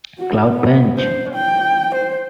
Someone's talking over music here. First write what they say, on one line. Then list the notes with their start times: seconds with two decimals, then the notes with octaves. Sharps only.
Cloud bench.
0.19 F#4
0.50 B3
0.98 C5
1.34 G5
1.94 C5